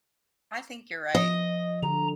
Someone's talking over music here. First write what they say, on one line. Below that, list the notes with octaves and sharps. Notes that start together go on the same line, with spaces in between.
I think you're right.
F3 D#5
D3 A#5